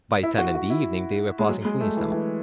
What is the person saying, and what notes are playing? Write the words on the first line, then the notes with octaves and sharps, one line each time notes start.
By ten in the evening they were passing Queenstown.
E4
F#4
F#4
E4
G#3
F#3
G#3
A3
E3
E3